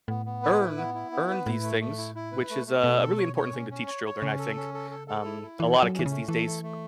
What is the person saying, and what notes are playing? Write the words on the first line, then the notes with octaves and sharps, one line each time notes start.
earn earn these things," which is, uh, a really important thing to teach children, I think. Um, a lotta kids these days,
A2 B3
B3
B4
E4
B3
E4
B3
B4
A2 E4
A3
A3
E4
E4
B4
A3
A3
B2 A4
A4
C#5
C#5
C#4
C#4
C#5
C#5
C#3 C#4
A4
C#4
A4
A4
A4
E4
E4
E3 A4
C#4
F#3
C#4
E3
C#3 A3
E3 A4
A3
A3